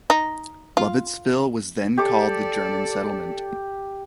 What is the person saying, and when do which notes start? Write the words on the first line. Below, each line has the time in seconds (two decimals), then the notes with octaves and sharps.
Lovettsville was then called The German Settlement.
0.10 D#4
0.77 F4
1.98 G4 A4 D5 D6